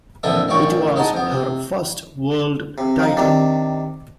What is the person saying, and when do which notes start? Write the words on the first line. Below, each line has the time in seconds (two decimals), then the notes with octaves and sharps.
It was her first World title.
0.23 A#1 F2 D3 E3 A4 E5
0.48 A1 F#2 A2 D5 C#6
0.96 G#3 D#4 F#5 A5
1.13 F2 B3
1.32 C3
2.78 C3
2.99 F3 D#4
3.17 C3 D#3 D4